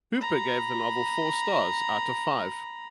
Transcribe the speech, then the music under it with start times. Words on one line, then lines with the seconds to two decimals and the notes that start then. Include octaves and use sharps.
Hooper gave the novel four stars out of five.
0.19 A#5 B5